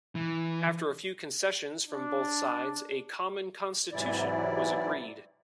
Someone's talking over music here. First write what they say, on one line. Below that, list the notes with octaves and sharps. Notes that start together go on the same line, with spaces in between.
After a few concessions from both sides, a common constitution was agreed.
E3
D4
G#2 C3 E3 F#3 E4 D5